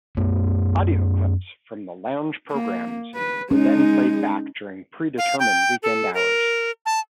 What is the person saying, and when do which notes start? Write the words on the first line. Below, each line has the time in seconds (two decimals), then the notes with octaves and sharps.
Audio clips from the Lounge programs were then played back during predetermined weekend hours.
0.17 F#2 A3 B3
2.51 A#3
3.15 B4
3.51 G#3 C#4 D#4
5.18 F5
5.40 G5
5.83 A4
6.14 A#4
6.86 A5